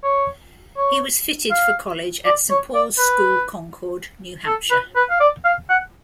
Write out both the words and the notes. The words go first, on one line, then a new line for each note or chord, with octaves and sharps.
He was fitted for college at Saint Paul's School, Concord, New Hampshire.
C#5
C#5
F5
D5
C#5
D5
B4
A4
B4
B4
F5
D5
F5
F#5